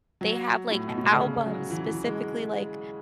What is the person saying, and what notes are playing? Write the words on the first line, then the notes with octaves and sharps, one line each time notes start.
they have like a albums specifically like,
F#3
A2
B2
A2
B2
D3
C#3
F#3
E3
E3
G#3